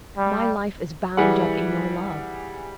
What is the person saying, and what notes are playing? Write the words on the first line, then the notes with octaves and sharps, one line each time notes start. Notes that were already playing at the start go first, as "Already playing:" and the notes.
My life is bound up in your love.
G3
E3 G3 G#4 F#5